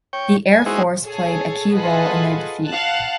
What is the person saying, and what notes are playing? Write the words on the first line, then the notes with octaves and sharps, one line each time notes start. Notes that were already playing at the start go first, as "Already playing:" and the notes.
The air force played a key role in their defeat.
C#5 G5
G#5
G#3 D#4 E4 F#4 G#4 C5
G#4 A4 C#5
F4 G#4 A4 B4 D#5 F#5
F5 F#5 A5 F#6